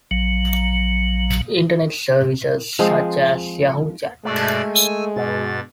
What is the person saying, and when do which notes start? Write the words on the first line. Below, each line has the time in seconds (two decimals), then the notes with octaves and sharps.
Internet services such as YahooChat!
0.11 A#1 F#3
2.79 F3 G#3 C4
4.25 G2 B2 G#3 A3 D5
4.74 G#5 E6
5.16 G2 B2 A6